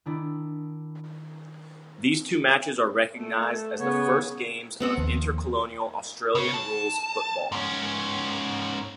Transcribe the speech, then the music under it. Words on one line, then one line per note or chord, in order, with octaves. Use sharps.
These two matches are recognised as the first games of intercolonial Australian rules football.
D#3 D4 E4
A3
C#3 B3 C#5
B3 C4 F#5
D#2 F3
C#3 C#5
A5
G#2 C#4